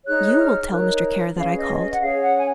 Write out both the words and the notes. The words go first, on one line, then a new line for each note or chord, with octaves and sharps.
You will tell Mr. Kara that I called.
D#4 G#4 C#5 F#6
F6
D#4 A#4 C#5 F#6
C#4 G#4 B4 F5
D#5
D#5
F#5
C#4 G#4 C#5 F5
F#5
G#5